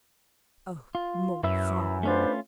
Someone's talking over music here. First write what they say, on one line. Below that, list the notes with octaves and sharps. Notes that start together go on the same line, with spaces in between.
Oh, more--far more!
F4
F#2 E4 B4 E5
A3 C#4 D4 F4 B4 C5